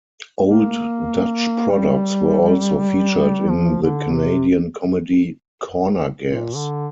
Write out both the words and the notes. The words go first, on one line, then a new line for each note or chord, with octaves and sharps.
Old Dutch products were also featured in the Canadian comedy "Corner Gas".
A#3
G3
F3
D3
C3
A#2
D3